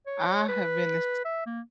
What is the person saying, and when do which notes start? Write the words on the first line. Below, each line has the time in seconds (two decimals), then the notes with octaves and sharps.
I have been this
0.07 C#5
0.49 B4
1.25 E5
1.46 A#3